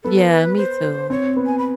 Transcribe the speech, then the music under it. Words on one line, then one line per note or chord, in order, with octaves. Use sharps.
Yeah, me, too.
B3 A4
B4
C5
C4 C#5
B3
G#5
B5